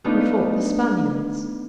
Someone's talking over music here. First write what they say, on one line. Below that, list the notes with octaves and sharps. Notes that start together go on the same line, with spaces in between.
We fought the Spaniards.
A3 B3 D4 D#4 F4